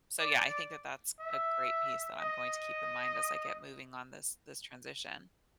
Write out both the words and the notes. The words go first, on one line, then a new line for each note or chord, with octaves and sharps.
so, yeah, I think that that's a great piece that I'm going to keep in mind as I get moving on this this transition.
D5
E5
D#5